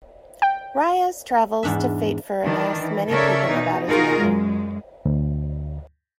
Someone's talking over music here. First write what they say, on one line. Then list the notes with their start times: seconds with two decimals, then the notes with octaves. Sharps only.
Riyaz travels to Fatehpur and asks many people about his mother.
0.42 G5
1.63 E2 G#2 D4 E5
2.43 D#3 E3 D4
2.80 E3
3.09 C#3 A4 A#4 C#5 D5 E5
3.49 B2 D#4
3.88 D#4 F4 F#4 G#4 A#4
4.19 F#2 G#3
5.05 D2